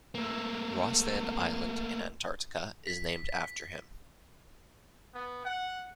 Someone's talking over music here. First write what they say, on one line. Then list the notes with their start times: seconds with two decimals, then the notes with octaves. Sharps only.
Rostand Island in Antarctica is named after him.
0.15 A3 A#3
2.87 B6
5.14 B3
5.45 F#5